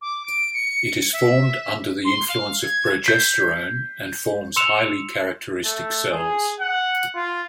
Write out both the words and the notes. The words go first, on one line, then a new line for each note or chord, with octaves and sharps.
It is formed under the influence of progesterone and forms highly characteristic cells.
D6
D7
C#7
E5
C6
F5
G#6
G6 B6 C7
C6 E6 C#7 E7 F7
A3
G#4
F#5
F4